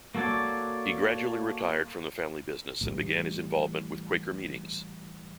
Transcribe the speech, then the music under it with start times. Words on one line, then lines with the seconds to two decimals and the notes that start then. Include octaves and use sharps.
He gradually retired from the family business and began his involvement with Quaker meetings.
0.15 A#3 F#4 A4 C#5 D5
2.81 A2 E3 G3